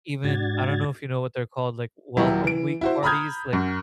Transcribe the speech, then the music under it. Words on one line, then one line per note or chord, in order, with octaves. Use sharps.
even I don't know if you know what they're called, like, welcome week parties, like
G#2 D4 F#4 G#6 A6
D#1 F#3 E4 G4
E3 D7
E4 F#4 C5
A#5 B5 D#6 F6 G6 G#6
F#2